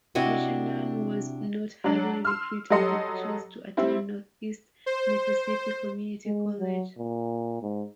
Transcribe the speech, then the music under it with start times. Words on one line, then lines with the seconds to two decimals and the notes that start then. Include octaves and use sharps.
Buchanan was not highly recruited and chose to attend Northeast Mississippi Community College.
0.15 C3 D4 E4 F#4 D#5
1.84 F#3 D4
2.25 C6 E6 F6
2.70 F#3 G3 A4 D#5 C6 C#7
3.77 G3 C4 E4
4.86 C5
6.25 G#3
6.59 F#3
6.98 A#2
7.62 G#2